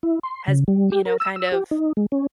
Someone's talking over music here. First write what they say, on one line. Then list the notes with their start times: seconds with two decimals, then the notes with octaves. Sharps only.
has, you know, kind of
0.03 E4
0.23 C6
0.48 C#3
0.68 G3
0.92 G4
1.05 A#4
1.20 E6
1.36 E6
1.52 G4
1.71 D#4
1.97 G#3
2.12 C#4